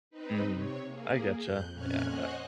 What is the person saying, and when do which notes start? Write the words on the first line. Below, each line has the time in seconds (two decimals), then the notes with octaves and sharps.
Mhm. I get you, yeah I
0.10 C4 D#4 B4
0.51 C3 C#5
0.86 A#3 G#4
1.39 F2 F#6 G6
1.72 F2 A#2 C#4 F6 F#6 G#6
2.04 C5 C#5 D#5 F#5 G#5 F#6